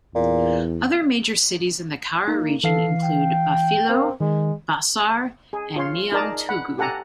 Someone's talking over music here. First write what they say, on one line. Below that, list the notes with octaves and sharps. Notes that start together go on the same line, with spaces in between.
Other major cities in the Kara region include Bafilo, Bassar, and Niamtougou.
E2 A#2
A#3 D#4
E3 A4 F5 C7
G5
C4 A#4 F5
D#3 G#3
G#4
F4 C#5 C6
D#4 G#4 A#4 D5 A5 A#5
F#5 B5
G4 A4 F#5 G#5 A#5